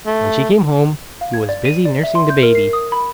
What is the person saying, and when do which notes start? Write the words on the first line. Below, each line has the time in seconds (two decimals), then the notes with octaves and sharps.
When she came home, he was busy nursing the baby.
0.06 A3
1.21 F5
1.33 G#6
1.49 D5
1.65 D#7
1.85 D5
2.03 E5
2.15 C6
2.30 G6
2.43 A#4
2.55 C7
2.73 D#6
2.92 B5